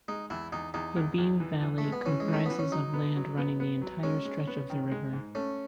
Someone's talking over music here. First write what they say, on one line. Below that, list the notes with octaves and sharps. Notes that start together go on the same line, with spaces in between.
The Beam Valley comprises of land running the entire stretch of the river.
G#3 D#4
E2 E4
E2 D#4
E2 D#4
E2
E2
E3
E3
A3
G#3
B3
E3 C#4
G#3
E3
A3
E3 B3
C#4
F#3 D#4
B3
F#3
B3
B3
F#3
G#3 C#4
G#3
B3
D#3
G#3
G#2
A3 C#4